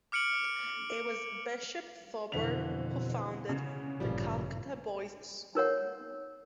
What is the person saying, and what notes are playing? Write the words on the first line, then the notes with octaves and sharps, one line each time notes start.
It was Bishop Thoburn who founded the Calcutta Boys' School.
D6 F6 C#7 D7 F#7
F2 B2 D3 E3 C5 B6 F7
C#3
A1 G2 A#2 F3 G3
D#4 A#4 C#5 F#5